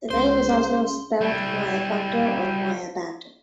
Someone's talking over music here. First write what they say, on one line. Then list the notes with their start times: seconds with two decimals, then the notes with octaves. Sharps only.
The name is also spelled Maya Bunder or Maya Bandar.
0.10 C#2 C#4 G#4 C5 C6
1.21 G3 E4